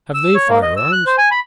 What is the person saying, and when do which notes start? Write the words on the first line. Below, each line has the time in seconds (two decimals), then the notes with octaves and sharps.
"Have they fire-arms?"
0.14 E6
0.35 C#5
0.49 A#3
0.62 D#5
0.77 E6
0.92 F#6
1.06 C5
1.18 G#5
1.31 B5